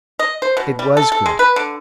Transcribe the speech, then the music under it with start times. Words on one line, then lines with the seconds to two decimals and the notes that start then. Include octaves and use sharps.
It was good.
0.19 D#5
0.42 C5
0.57 B2
0.79 G3
0.97 A4
1.12 A4
1.26 G#3
1.39 B4
1.56 D3